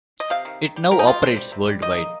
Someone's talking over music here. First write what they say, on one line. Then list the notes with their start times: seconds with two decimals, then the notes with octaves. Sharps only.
It now operates worldwide.
0.20 D#5
0.30 C3 F5
0.45 D#3
0.61 D#3
0.76 G3
0.91 C3 A#4
0.99 D#4
1.06 G3 F4
1.22 C3 C5
1.36 G3
1.52 C3
1.67 G3
1.82 D#3 D#5
1.98 A#3